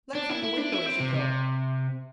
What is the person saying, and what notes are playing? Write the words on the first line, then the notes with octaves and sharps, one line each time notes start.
Look from the window as you go.
D4
E4
E4
D4
E4
C4
C3
C3